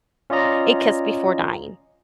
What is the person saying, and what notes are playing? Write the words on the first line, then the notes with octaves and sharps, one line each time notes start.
A Kiss Before Dying,
C#4 F4 D5 D#5 A#5